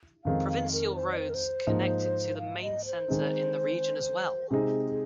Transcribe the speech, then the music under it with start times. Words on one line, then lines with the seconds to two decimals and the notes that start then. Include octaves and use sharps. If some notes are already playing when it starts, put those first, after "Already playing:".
Provincial roads connect it to the main centre in the region as well.
0.24 F2 D#3 G#3 C4 D#4 F5
0.49 F5
0.72 A#4
0.95 C5
1.12 D#5
1.17 C5
1.29 A#4
1.34 C5
1.67 G#2 F3 A#3 D#4
2.38 F5
2.61 D#5
2.85 C5
3.08 D#3 G#3 C4 D#4
4.50 C3 G#3 C4 D#4 G#4